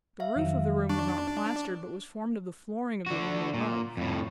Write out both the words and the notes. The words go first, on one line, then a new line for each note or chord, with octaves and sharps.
The roof of the room was not plastered, but was formed of the flooring of the room above.
E5 F5
F2 D#3 F#3
D4 C#6
D3 F#4
A#2
F2 A2